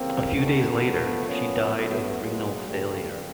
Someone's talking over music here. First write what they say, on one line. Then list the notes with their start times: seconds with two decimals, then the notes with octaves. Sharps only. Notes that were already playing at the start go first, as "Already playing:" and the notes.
A few days later, she died of renal failure.
Already playing: C#3 E3 G3 A#3 C4
0.35 A3 B3
0.83 A#2 F3
1.29 B3 C#4
1.75 B2 F#3 A3 B3
2.21 G#3 A#3
2.67 C#3 F3 G3 A3